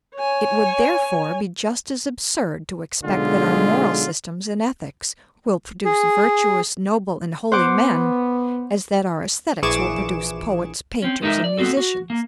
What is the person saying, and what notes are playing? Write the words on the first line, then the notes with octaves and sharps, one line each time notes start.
It would, therefore, be just as absurd to expect that our moral systems and ethics will produce virtuous, noble, and holy men, as that our aesthetics will produce poets, painters, and musicians.
C#5 G#5
B1 D3 G#3 F4 G#4
G#4
B3 C5 F#5 D6
A#1 E3 G#4 C#6 D6 E7
C4 C#4
G#3 A3 D#4 A4 A#4 E5
D5
B3 C4 F#4 A4
F#4
A#3